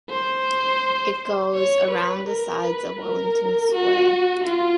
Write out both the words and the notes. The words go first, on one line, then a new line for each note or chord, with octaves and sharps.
It goes around the sides of Wellington Square.
C5
C#5
B4
A#4
B4
A#4
F#4
F4